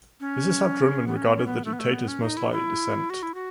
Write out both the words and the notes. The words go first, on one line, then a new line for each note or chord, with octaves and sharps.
This is how Drumann regarded the dictator's most likely descent.
C#4
B3
C#4
B3
C#4
B3
A3
B3
A3
B3
C#4
D#4
E4
E4
F#4
E4
F#4